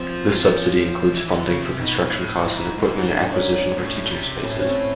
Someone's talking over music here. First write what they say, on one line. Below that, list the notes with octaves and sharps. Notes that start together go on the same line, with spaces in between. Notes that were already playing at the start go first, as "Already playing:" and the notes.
This subsidy includes funding for construction costs and equipment acquisition for teaching spaces.
Already playing: F3 C4
C4
C#4
E3
D3
C#3
C3
B2 D#4
A2
G#2 E4
D#4
G#2 E4
D#4
D4
D4
C#4
C#4
A2 C#4
C3
A2 C#4
C#4
C4